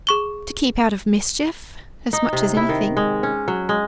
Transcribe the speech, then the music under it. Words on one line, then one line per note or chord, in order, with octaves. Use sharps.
'To keep out of mischief, as much as anything.'
G#4 C#6 G7
D#4
C3
E4
D#3
G#3
C#4
F#3
G#3